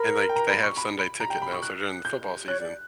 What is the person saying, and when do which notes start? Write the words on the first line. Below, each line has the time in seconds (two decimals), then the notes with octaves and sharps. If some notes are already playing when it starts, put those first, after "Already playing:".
and, like, they have Sunday ticket now, so during the football season,
Already playing: A#4 B5
0.29 G5
0.36 A#5
0.50 B5
0.63 C#6
0.78 B5
0.99 B5
1.20 A#5
1.30 G5
1.42 B5
1.52 C#6
1.62 F#6
2.05 G6
2.48 C#5 F#6
2.60 D5